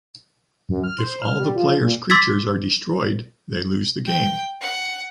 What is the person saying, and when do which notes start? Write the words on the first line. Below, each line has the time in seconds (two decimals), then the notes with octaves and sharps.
If all the player’s creatures are destroyed, they lose the game.
0.69 F#2
0.84 F6
0.98 C5
1.22 F6
1.40 G3
1.56 F3
1.81 A#2
2.10 C6 D6 E6 G#6 A6 B6
4.06 G5
4.61 F#5